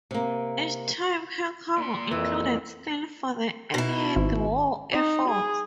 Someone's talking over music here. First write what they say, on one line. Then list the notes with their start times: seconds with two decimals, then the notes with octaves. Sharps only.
Each time her cargo included steel for the Allied war effort.
0.11 C3 A#3
1.78 A#2 C6
2.11 F2 E3 E6
3.74 B2 E4
4.16 G#1
4.92 D#4
5.28 G#4